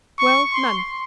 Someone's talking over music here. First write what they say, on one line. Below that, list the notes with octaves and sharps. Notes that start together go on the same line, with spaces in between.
Well, none.
C#6
C6